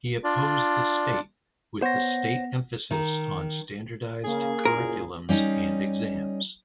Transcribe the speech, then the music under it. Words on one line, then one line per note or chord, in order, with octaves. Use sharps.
He opposed the state with the state emphasis on standardised curriculums and exams.
D4 F4 D5
B3 C5 C#5 F#5 A#6
D#3
C#3 A#3 G#4
F#1 A#2 A#4
G3 C#4 D#4